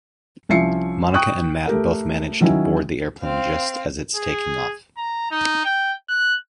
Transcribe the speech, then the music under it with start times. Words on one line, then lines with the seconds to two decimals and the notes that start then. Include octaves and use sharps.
Monica and Matt both manage to board the airplane just as it's taking off.
0.49 C2 F3 C#4 E5 C7 C#7
1.14 G5 C#6 D#6 F#6
1.67 A3 G4 A#4
2.41 D#3 F#3 C#4 E4
3.20 C4 F5
4.16 G#4
4.97 A#5
5.31 D#4
5.65 G5
6.09 F#6